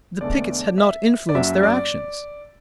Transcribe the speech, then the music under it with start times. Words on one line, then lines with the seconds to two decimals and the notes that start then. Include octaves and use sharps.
The pickets had not influenced their actions!
0.20 E1 E2 D3 A3 D5
0.78 E5
1.29 D5
1.35 F#1 F#2 F#3 E5
1.63 D5